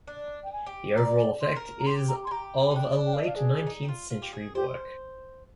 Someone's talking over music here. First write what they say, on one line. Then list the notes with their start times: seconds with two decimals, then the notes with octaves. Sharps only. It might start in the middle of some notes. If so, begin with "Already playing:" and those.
The overall effect is of a late-nineteenth-century work.
0.07 D4
0.44 G5
0.53 G#5
0.66 G4
0.96 D5 A#5
1.41 C6
1.56 A#4
1.79 A#5
1.87 G4 C6
2.08 A#5
2.25 G#4 C6
2.31 G4 A#5
2.71 D#4
2.76 D4 G5
3.06 G5
3.14 F5
3.21 D#5
3.28 F5
3.35 G#4
3.67 D#4
3.83 G4
3.88 F4
4.10 F4
4.22 G4
4.33 G#4
4.55 G4 C5